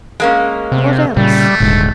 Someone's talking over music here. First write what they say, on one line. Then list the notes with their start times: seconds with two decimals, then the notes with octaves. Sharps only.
"What else?"
0.20 G#3 A#3 C#4
0.72 C3
1.17 A#2 C#3 G3 A3
1.60 D#1 G#2 D3 G#3